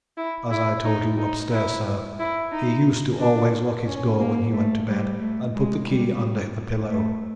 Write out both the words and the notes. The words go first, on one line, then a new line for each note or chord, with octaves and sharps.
As I told you upstairs, sir, he used to always lock his door when he went to bed and put the key under the pillow.
E4
E4
D#4
D#4
E4
E4
D#4
D4
C#4
A#3
A3
G3
A3
G#3
G3
A3